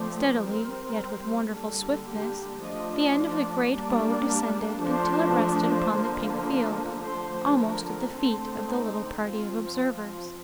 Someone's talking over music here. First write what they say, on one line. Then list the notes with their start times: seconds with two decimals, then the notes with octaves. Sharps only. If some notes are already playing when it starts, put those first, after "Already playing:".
Steadily, yet with wonderful swiftness, the end of the great bow descended until it rested upon the pink field--almost at the feet of the little party of observers.
Already playing: F3 A3 C4 D5
0.42 G3 C4 A#4
1.52 D3 G3 A#3 A4
2.06 G4
2.61 F3 A3 D4 D#5
3.17 D5
3.72 G3 A#3 D4 D5
4.81 F3 A3 D4 C5
5.37 C5
5.92 D3 F3 A#3
7.01 D3 F3 A3 C5
7.56 A#4
8.11 D3 A3 C4 A4
8.66 D#4
9.21 F3 C4 F4
9.76 F4